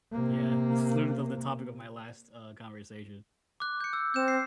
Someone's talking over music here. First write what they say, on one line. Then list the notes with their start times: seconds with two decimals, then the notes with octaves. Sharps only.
Yeah. This is literally the the topic of my last, uh, conversation.
0.12 C3 A#3
3.60 D6 F#6
3.81 G6 C#7
3.93 E6
4.14 C4 G6 E7
4.28 C7